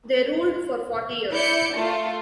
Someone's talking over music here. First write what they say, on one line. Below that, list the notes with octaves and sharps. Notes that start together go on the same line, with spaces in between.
They ruled for forty years.
E4 D5 G6 C#7
A3 F4